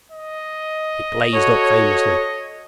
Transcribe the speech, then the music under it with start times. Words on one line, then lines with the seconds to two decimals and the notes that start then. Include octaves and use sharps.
It blazed up famously.
0.12 D#5
1.33 F#4 A4 C#5